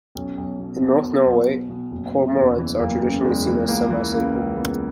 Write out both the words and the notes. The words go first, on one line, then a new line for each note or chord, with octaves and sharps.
In North Norway, cormorants are traditionally seen as semi-sacred.
B1 C#4
B1
B2
B2
B1
B1
B2
B2
F#1
C#3
E2
E3
F#1 A#3
C#3
E2 G#3
E3
C#2 A#3
E3
C#3 A#3
C#2
C#2 B3